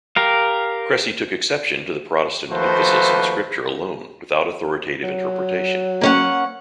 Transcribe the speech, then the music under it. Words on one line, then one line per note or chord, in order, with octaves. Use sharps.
Cressy took exception to the Protestant emphasis on scripture alone without authoritative interpretation.
G4 A#4 F5
D#2 F3 A3 F#4 B4 C5
F#3
A#3 C#4 F#5